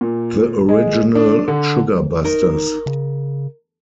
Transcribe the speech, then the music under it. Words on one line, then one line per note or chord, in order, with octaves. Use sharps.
The original Sugar Busters!
A#2
G#3
D4
D3
D#4 A#4
C#3